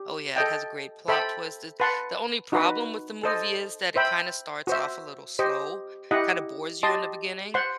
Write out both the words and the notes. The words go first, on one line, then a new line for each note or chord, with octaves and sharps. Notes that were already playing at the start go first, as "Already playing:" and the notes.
Oh yeah, it has a great plot twist, it The only problem with the movie is that it kinda starts off a little slow, kinda bores you in the beginning,
Already playing: G4
A4 D#5 G5
A4 C5 E5 G5 B5
B4 F#5 A5 C6
D#4 F#4 B4
A4 C5 D#5
C5 E5 G5 B5
F#4 C5 E5
G4 C5 D#5
E4 G4 D#5 F#5
G4 D#5 A5 C6
C5 F#5 C6